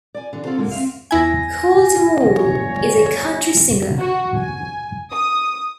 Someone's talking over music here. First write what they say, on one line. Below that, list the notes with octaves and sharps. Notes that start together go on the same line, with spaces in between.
Colter Wall is a country singer.
D5 G#5
D3 E3
C4 F4 F#4 A4 C5
G#2 D3 G#3 A#3
C4 E5 F5
E2 E4 G#5 G#6 A#6
G1 C#5
F#4
G#5
D#6